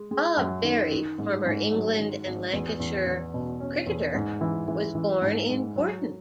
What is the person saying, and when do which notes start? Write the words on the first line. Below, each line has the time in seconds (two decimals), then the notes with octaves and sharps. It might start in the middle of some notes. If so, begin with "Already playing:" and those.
Bob Berry, former England and Lancashire cricketer, was born in Gorton.
Already playing: G#3
0.11 G#3
0.37 F#2
0.64 D#3
0.91 D#3
1.18 G#2
1.46 G#2
1.72 F#3
1.99 D#3
2.26 G#1
2.53 E2
2.80 E2
3.06 E2
3.34 B2
3.60 C#4
3.86 E2
4.15 G#2
4.41 E3
4.68 E3
4.95 E3
5.22 G#2
5.49 G#2
5.76 F#3